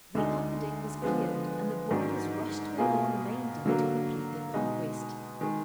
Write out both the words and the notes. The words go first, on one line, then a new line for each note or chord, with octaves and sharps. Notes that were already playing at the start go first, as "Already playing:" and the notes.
The upper deck was cleared, and the boarders rushed below on the main deck to complete their conquest.
D2 D3 G#3 D#4
D3 F3 G#3 B3
G#2 D#3 F#3 D4
B2 A#3 F4 G#4
D3 F#3 A#3
B2 G#3 D#4
D#3 G#3